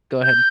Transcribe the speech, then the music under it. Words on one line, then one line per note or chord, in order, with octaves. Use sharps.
go ahead.
G6